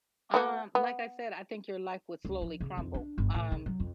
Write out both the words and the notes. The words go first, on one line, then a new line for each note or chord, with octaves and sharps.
Um, like I said, I think your life would slowly crumble. Um,
A3 B3 F#4
B3
C#2
F3
C#3
F2
D4
G1
A2
C#3
F#3
F2